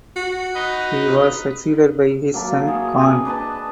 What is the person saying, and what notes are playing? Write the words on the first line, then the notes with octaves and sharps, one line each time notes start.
He was succeeded by his son Kang.
F#4
D#4 B4 D#5
F#3 A#3 E5 A5
G#4 C#5
D4 B4
D4 B4 D#5 A5